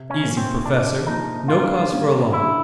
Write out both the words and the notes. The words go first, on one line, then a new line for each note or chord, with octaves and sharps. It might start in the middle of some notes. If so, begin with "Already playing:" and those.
"Easy, professor, no cause for alarm."
Already playing: C3
C#4
F3 A#3
C4
C3 D4
F3 A#3 D#4
D3 F4
G3 A#3 C#4
D3 E4